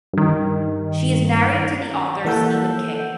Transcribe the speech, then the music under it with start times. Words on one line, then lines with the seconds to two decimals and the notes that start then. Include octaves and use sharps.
She is married to the author Stephen King.
0.13 G2 D#3
2.25 E3 A#3 A4 F#5 E6 G6